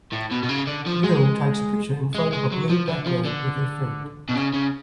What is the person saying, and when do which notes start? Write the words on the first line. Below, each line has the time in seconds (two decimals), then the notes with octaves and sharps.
A girl takes a picture in front of a blue background with her friend.
0.12 A2
0.31 B2
0.43 B2
0.49 C#3
0.67 D3
0.86 F3
1.04 G#3
2.15 G#3
2.33 G#3
2.52 F#3
2.70 F3
2.88 D3
3.07 F3
3.26 D3
4.29 B2
4.35 C#3
4.54 C#3